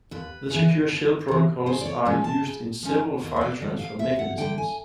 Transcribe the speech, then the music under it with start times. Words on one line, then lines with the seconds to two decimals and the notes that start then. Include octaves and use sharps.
The Secure Shell protocols are used in several file transfer mechanisms.
0.11 D#2 B4
0.50 C#3 E3
0.89 D#2
1.28 C#3 E3
1.66 C#3 C5
1.81 D5
1.85 C#5
2.05 F3 G#3 C#4
2.24 A5
2.44 C#3
2.83 F3 G#3 C#4
3.22 D#2 D#5
3.36 C#5
3.41 D5
3.60 D3 G3
3.79 F5
3.99 D#2 E5
4.19 F#5
4.38 D3 G3 G5
4.58 G#5